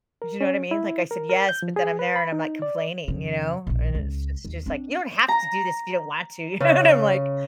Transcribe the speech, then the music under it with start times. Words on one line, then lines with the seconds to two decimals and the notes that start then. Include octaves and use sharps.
do you know what I mean? Like, I said, "Yes," but then I'm there, and I'm, like, complaining, you know, and it's it's just like, "You don't have to do this if you don't want to," you know, and I'm like,
0.22 A#4
0.41 C#4
0.71 E4
1.11 A#4
1.30 A#4
1.49 G6
1.62 F3
1.76 G#4
1.99 B4
2.16 B5
2.32 D#4
2.62 D5
3.08 F2 C#3
3.67 E1 A#1
3.95 C#2
4.45 D#2
4.66 C4 D4
5.28 A#5
6.60 C#3